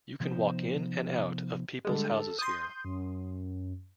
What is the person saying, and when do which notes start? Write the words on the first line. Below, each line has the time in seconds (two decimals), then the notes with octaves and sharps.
You can walk in and out of people's houses here.
0.20 C3 F3 B3 D#4 C5
1.85 D3 G3 G#3 A4
2.39 C6 D#6 G6
2.84 F#2